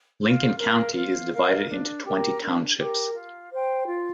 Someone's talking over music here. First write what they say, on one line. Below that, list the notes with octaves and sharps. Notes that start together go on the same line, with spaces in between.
Lincoln County is divided into twenty townships.
F4
A#4
F5
F4
A#4 F5
D4
G4 A#4
D4
G4 A#4
F4
C5 G5
F4